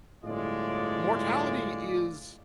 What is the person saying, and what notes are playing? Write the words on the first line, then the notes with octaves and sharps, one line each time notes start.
mortality is
G1 A2 G#3 F4 D5